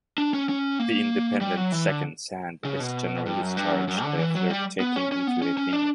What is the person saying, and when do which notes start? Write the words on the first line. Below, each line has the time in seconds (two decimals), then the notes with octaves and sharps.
The independent seconds hand is generally discharged by a flirt taking into a pinion.
0.18 D4
0.34 C#4
0.49 C#4
0.79 A#3
1.41 G3
1.57 F#3
1.72 E3
1.88 D3
2.65 C#3
2.80 B2
3.26 G2
3.42 F#2
3.57 G2
3.73 F#2
3.88 F#2
4.03 D3
4.19 E3
4.35 F#3
4.50 G3
4.80 B3
4.96 C#4
5.12 C#4
5.27 B3
5.42 C#4
5.57 C#4
5.73 D4